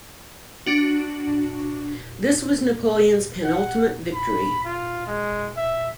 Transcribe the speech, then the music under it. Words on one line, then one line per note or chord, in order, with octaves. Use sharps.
This was Napoleon's penultimate victory.
D4 F#4
F#5
B5
F4
G#3
E5